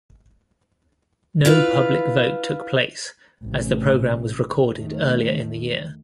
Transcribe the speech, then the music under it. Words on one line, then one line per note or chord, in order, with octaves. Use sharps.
No public vote took place, as the programme was recorded earlier in the year.
E4 F4 B4 F5
A1 A2 C3
E2 D#3 A3